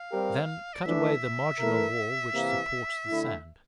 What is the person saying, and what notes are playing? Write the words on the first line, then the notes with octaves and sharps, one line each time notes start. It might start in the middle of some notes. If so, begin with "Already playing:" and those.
Then, cut away the marginal wall which supports the sand.
Already playing: F5
G3 C4 G4 A#4
D5
E3 A3 D4 E5
E3 A3 E4 A#4
C3 E3 A#3
D3 A3 E4